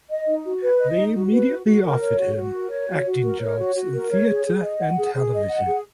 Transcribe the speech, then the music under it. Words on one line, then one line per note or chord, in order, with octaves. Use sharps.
They immediately offered him acting jobs in theater and television.
D#5
D#4
F#4
B4
D#5
D#4
F#4
B4
F#4
F#4
A#4
C#5
F#4
F#4
A#4
C#5
F#4
F#4
A#4
C#5
F#4
F#4
A#4
C#5
G#4
G#4
D#5
F#5
G#4
G#4
D#5
F#5
G#4